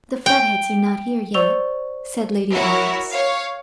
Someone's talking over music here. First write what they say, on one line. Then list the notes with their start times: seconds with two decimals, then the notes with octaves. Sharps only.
"The Flatheads are not here yet," said Lady Aurex.
0.26 G5
1.34 C5 D5 C#6 E6 F7 G7
2.53 E4 F#4 A#4 C#5
3.12 C#5 F5